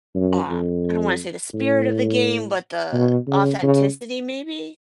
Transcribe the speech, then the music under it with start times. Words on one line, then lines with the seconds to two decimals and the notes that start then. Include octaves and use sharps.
um, I don't want to say the spirit of the game, but the authenticity, maybe?
0.15 F#2
0.49 F2
1.54 A2
2.93 B2
3.27 C#3
3.62 C#3